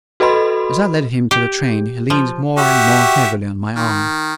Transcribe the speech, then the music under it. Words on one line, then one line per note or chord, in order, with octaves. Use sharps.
As I led him to the train he leaned more and more heavily on my arm.
F#4 A4 B4 D#5 B5 C6
G4
F3
F#4 G4 E5
D#3